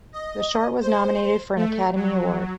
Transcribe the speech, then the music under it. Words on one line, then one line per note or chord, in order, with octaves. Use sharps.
The short was nominated for an Academy Award.
D#5
C5
A3
F#3